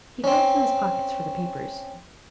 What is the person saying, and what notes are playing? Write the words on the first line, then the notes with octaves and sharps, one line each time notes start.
He felt in his pocket for the papers.
C4 C#4